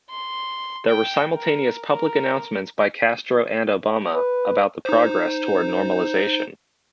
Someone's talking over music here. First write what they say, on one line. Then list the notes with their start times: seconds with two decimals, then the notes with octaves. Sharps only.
There were simultaneous public announcements by Castro and Obama about the progress toward normalization.
0.10 C6
0.88 G5
1.35 A#4
1.88 A#4
4.14 B4
4.85 D#4 C5